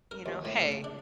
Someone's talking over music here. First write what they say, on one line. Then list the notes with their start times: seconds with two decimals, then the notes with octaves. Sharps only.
you know, "Hey,
0.11 A#4
0.26 D#2
0.45 A2
0.60 C#3
0.72 A5
0.84 D4